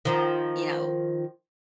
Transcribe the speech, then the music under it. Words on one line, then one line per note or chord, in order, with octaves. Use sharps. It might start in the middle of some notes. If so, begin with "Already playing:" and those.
you know,
D#3 F3